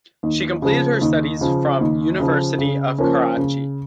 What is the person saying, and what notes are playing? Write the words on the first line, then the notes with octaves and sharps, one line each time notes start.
She completed her studies from University of Karachi.
D#2
C#3 F3
D#2
C#3 F3
D#2
C#3 F3
C#3
F3 A#3 C#4
C#3